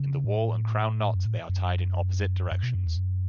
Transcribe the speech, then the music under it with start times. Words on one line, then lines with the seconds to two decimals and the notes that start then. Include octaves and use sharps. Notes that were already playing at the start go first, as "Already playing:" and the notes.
In the wall and crown knot they are tied in opposite directions.
Already playing: C#3
0.24 A2
1.15 F#2
1.25 A2
1.49 F#2
2.51 F#2
2.63 B2
2.75 F#2
2.86 E2
2.96 F#2